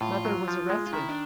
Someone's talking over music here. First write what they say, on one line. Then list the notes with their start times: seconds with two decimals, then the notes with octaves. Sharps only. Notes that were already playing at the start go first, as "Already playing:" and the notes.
Mother was arrested.
0.01 A2 F4
0.25 F#3
0.48 F3
0.70 G#3
0.87 F4
0.93 D#3 E4
1.08 D4